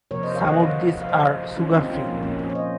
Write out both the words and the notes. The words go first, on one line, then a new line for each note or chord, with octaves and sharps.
Some of these are sugar free.
C3 F3 A#3 A#4 C#5
C5 D#5
C#5 F5
D#5 F#5
C#5 F5
F5
C5 D#5
C#4 F4
C4 D#4
C#4 F4
A#2 F3 A#3
A#3 C#4
C#4 F4
C#5
C5 D#5